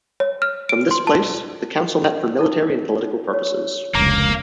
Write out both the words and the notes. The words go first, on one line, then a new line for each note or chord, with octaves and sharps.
From this place, the Council met for military and political purposes.
C#5
F6
D7
C6
A5
D#4 A4
C#5
F1 C#2 A#3 A#5